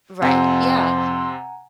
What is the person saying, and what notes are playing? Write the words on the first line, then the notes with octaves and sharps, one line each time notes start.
Right. Yeah.
F2 C3 C4 F#5 G#5 A#5 C6